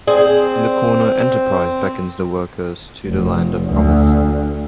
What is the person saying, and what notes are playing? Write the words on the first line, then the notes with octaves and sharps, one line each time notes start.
In the corner "Enterprise" beckons the workers to the Land of Promise.
C4 G#4 C5 D5
F1
D2